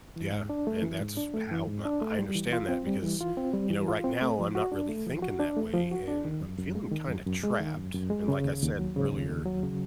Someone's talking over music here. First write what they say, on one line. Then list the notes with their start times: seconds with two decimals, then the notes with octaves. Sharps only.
Yeah. And that's how my I understand that because, you know, right now I'm not really thinking that way, and I'm feeling kinda trapped. And, like, I said earlier,
0.16 E3
0.32 G#2
0.50 D4
0.67 A3
0.83 E3
1.00 G#2
1.17 D4
1.34 A3
1.51 E3
1.67 G#2
1.85 D4
2.02 A3
2.19 G3
2.35 E3
2.53 F4
2.69 C4
2.87 G3
3.03 E3
3.21 F4
3.37 C4
3.54 G3
3.70 E3
3.88 F4
4.04 C4
4.21 A3
4.39 F3
4.55 F#4
4.72 D4
4.89 A3
5.07 F3
5.22 F#4
5.39 D4
5.57 A3
5.74 F3
5.91 F#4
6.08 D4
6.25 D#3
6.41 F#2
6.59 F#2
6.75 G#3
6.92 D#3
7.09 F#2
7.26 F#2
7.44 G#3
7.60 D#3
7.77 F#2
7.94 F#2
8.10 G#3
8.28 C#3
8.45 D#2
8.62 D#2
8.79 F#3
8.96 C#3
9.12 D#2
9.30 D#2
9.46 F#3
9.63 C#3